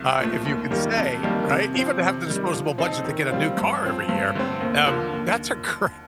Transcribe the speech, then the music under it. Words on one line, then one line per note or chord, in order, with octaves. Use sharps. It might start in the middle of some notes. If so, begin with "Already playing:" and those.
Uh, if you could say, right? Even to have the disposable budget to get a new car every year, um, that's a great
Already playing: C2
A#2 F3 A3
D#2
D#3 G3 A#3
F2
D#3 G3 A#3
C3
F3 C4
C3
D#3 G3
F3
C4 D#4 A4 C5
D#3
G3 C4 F4
G2
F3 C4
G2
D3 A3 C4
D#2
D3 F3 A#3
D#2